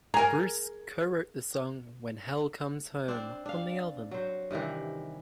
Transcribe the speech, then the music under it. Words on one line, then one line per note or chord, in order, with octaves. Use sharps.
Bruce co-wrote the song "When Hell Comes Home" on the album.
G#4 A#4 G#5 A#5
C4 D4
D4 F5
F#3 C5
G2 C3 D#3 E3